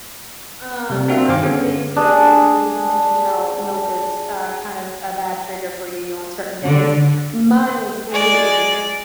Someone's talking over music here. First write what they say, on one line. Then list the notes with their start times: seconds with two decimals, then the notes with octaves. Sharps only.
um, my big trigger, you know, you had mentioned how milk is, uh, kind of a bad trigger for you on certain days. Mine is gluten.
0.90 C3 G3 C4
1.08 C4 D4 F#4 A#4 E5 F5
1.29 G2 D#3 F5 G#5 D6
1.42 D3 B3 C#4 G#4
1.96 D4 G#4
6.66 D3
8.11 G#3 D5